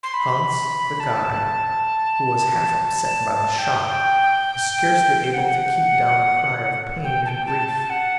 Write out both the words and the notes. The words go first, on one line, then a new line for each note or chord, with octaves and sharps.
Hans, the guide, who was half upset by the shock, was scarcely able to keep down a cry of pain and grief.
C6
B5
A5
G5
G5
F#5
G5
A5
G5
A5
A5
F#5